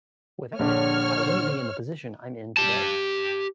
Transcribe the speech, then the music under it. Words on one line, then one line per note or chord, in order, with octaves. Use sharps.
Without Him, I wouldn't be in the position I'm in today.
A#1 D3 C#5 F6
G4 A5